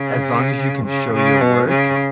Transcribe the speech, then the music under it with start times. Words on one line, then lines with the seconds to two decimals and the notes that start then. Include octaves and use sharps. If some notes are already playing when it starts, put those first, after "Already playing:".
as long as you can show your work
Already playing: C#3
0.85 C#3
1.14 C#3
1.42 B2
1.70 C#3